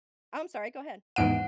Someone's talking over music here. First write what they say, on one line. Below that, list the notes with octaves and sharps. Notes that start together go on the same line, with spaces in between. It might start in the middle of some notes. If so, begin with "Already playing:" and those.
Oh, I'm sorry, go ahead.
E2 G#2 F#5 D7